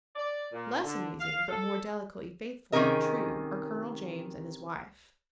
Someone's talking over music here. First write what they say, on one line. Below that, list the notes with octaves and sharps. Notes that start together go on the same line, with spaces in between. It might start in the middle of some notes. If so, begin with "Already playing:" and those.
Less amusing but more delicately faithful and true are Colonel James and his wife.
D5
A#2
D3
F5
A4
C3 D#3 C#4 G#4 A#4 D#5